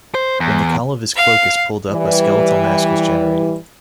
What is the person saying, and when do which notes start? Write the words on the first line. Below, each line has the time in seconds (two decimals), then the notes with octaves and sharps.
When the cowl of his cloak is pulled up a skeletal mask is generated.
0.15 C5
0.40 E2
1.17 F5
1.91 E3 G3